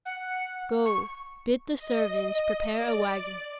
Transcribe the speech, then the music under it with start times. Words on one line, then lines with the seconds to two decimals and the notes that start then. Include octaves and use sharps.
"Go, bid the servants prepare a wagon."
0.05 F#5
0.85 C#6
1.79 D#5
2.76 D5